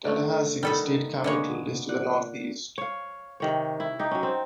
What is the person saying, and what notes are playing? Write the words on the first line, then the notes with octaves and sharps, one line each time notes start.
Tallahassee, the state capital, is to the northeast.
D3 A3
D#3 G3 B3 D#4 A4 B4
D3 G#3 A#3 B3 C#5
A#2 F#5
C#5 F5
C3 D#3 C#5
E4
D#4 G4
F#3 C#4
C4